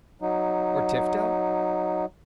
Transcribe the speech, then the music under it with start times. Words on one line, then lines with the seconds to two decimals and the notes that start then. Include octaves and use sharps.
"Or Tifto?"
0.22 F#3 D#4